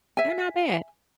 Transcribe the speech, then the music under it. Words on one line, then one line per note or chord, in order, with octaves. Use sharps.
they're not bad.
E5 G#5